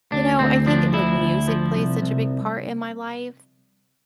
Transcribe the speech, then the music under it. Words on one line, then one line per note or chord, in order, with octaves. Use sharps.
You know, I think, like, music plays such a big part in my life,
D2 D4
D2 C4
F3 D4
D2 E4
D2
F3
C2
C2